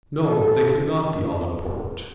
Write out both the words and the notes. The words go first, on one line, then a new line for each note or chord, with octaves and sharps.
"No; they cannot be all-important."
A4